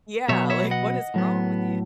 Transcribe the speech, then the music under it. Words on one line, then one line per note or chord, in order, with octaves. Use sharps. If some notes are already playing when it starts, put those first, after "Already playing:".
Yeah, like, "What is wrong with you?"
B2 F#3 B3 C#5 E5
C#5 E5
D#5 F#5
A2 F#3 B3